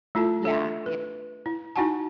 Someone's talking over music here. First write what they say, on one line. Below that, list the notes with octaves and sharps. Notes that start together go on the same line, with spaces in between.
Yeah, ye
A3 E4 F4 A4 A5
D4 A4 E5
B4
E4
D#4 E4 F#4 F#5 G#5 A5